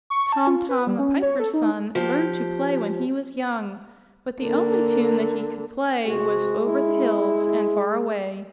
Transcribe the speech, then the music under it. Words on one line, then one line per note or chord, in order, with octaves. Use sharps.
Tom, Tom, the piper's son, Learned to play when he was young; But the only tune that he could play Was "Over the hills and far away."
C#6
A5
F4
B4
G3
C#4
C#5
A4
D#4
F3 G4
D3 A#3
C3 G#3 F#4
E4